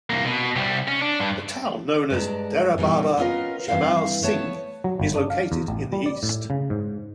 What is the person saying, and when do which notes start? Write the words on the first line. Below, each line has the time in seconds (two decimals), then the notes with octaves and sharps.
The town known as Dera Baba Jaimal Singh is located in the east.
0.10 C2 A#3
0.25 B2
0.56 C2 G3
0.88 C#4
1.02 D4
1.20 G2
2.10 G2 G#3 D5 A5 A#5
2.78 A#2 E3 G3 B3
3.17 B3 C#4 F4 A#4 D#5
3.68 G2 E3 F#3 A#3 C4 F5
4.22 A3 B3 C#5 A5
4.84 F#3
5.00 G1
5.16 D4
5.30 F5
5.52 E2
5.68 A1
5.93 G3
6.06 D5
6.23 A2
6.50 C#3
6.70 G#2